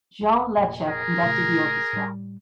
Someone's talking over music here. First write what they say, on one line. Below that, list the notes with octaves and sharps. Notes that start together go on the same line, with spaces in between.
Jean Leccia conducted the orchestra.
F1
F1 A#2
G#4 A#4
A#2 C#3 A3
A2 G3